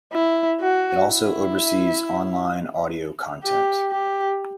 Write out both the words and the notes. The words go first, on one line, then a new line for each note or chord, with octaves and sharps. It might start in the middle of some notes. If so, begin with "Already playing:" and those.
It also oversees online audio content.
E4
F#4
E4
G4
G4